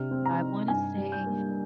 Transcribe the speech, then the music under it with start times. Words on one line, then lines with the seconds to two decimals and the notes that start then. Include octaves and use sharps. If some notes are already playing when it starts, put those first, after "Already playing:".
I wanna say,
Already playing: C3 D4 F6
0.11 C4
0.26 A#5
0.40 D#4
0.68 G2 G#5
0.97 G3
1.12 G6
1.26 A#3